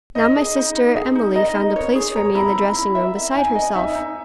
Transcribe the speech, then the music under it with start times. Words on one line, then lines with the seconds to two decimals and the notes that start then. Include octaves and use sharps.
Now my sister Emilie found a place for me in the dressing-room, beside herself.
0.15 D#4 D#5
0.36 G#4
0.56 D#4
0.76 D#4
0.96 G#4
1.16 D#4
1.35 D#5 A#5
1.55 D#4
1.76 C#5
1.95 G#4
2.16 C#5 A#5
2.35 E4 A#5
2.55 E4
2.75 E4
2.95 E5
3.15 E5
3.35 D#4 G#5
3.55 D#5
3.75 D#4 E5
3.95 D#4